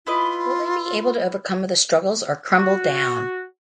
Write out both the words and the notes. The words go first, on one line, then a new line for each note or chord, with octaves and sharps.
Will they be able to overcome the struggles or crumble down?
E4 F4 B4 D#5
F#4